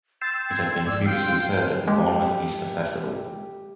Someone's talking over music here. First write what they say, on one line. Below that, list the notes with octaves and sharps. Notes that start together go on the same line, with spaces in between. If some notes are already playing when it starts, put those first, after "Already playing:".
It had been previously heard at the Bournemouth Easter Festival.
G5 C6 E6 A6
G#6
G#2 D5 E6
F5 G5 C6
G#3 G4